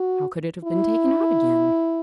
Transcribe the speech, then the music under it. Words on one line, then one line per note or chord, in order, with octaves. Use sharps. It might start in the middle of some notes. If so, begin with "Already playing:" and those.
How could it have been taken out again?
Already playing: F#4
E4